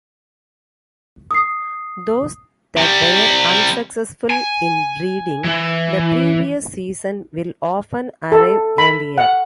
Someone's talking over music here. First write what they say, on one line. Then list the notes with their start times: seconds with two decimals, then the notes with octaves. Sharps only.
Those that were unsuccessful in breeding the previous season will often arrive earlier.
1.31 D#6 C7
2.77 C3 G3
4.30 G#5
5.45 E3
8.32 A4
8.78 B5
9.18 F#5